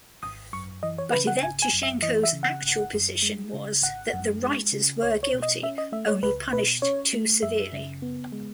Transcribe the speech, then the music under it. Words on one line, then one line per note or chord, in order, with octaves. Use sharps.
But Yevtushenko's actual position was that the writers were guilty, only punished too severely.
G#1 D#6
F#2 C#6
E3 D#5
C#5
C#3 B4
F#5
G#1 G#5
G#5
F#2
E5
E3 D#5
E5
C#3
F#5
G#1
F#2
G#3
C#3
G#1 F#5
F#2
G#3
C#3
C#2 C#5
C#5
B2
D#5
C#4 E5
D#5
A3 E5
C#5
C#2 B4
B2 B4
C#4 C#5
A3
F#2 E5
C#3
B3
G#3